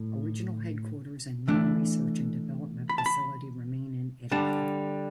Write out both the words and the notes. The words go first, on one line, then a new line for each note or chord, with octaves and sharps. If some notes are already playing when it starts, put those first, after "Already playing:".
Original headquarters and main research and development facility remain in Italy.
Already playing: A2
E3 A3 D4
B5
A5
B5
D3 G3 D4 A5